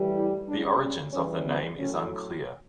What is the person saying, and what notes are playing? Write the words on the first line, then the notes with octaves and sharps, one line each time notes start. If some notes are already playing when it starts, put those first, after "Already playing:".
The origins of the name is unclear.
Already playing: A2 E3 G3
E4
C#3 G3 D4
C#4
C#3 E3 G3 C#4
B3
A2 F#3 C#4